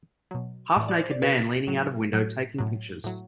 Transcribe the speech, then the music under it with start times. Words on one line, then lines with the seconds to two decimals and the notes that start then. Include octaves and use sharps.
Half naked man leaning out of window taking pictures.
0.31 B2 F#3
0.76 A2 E3 D5
0.88 D5
1.00 C5
1.11 D5
1.22 C3 F#3 B4
1.67 A2 F#3
2.13 A2 F#3 A4
2.58 A2 F#3
3.04 A2 F#3